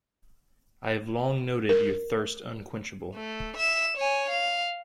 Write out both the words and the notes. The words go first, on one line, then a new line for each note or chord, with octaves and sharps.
I have long noted your thirst unquenchable.
A#4
A3
E5 E7
C#5 G#5
F5